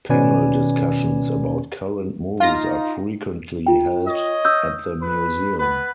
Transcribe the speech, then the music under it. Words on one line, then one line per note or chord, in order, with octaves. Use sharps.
Panel discussions about current movies are frequently held at the museum.
B2 D#3 C#4 B4 D5 G#5
D#4 F4 A#6
F4 G5
C#5 D#5
D#6 E6 G6
B4
B3 B4